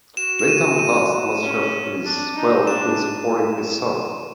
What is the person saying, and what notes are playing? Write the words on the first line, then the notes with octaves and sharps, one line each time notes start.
Latham lost much of his wealth in supporting his son.
F#4 E7
E7
D#7
D#7
C#4
D4
D#4
D4 E7